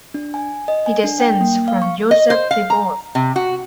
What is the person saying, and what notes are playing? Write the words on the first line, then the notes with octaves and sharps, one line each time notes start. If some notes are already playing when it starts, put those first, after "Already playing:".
He descends from Joseph Thebaud.
D4
G#5
D#5
G#5
D4
G5
A#3
F5
C#6
D#5
C5
F5
A#5
C3
F#4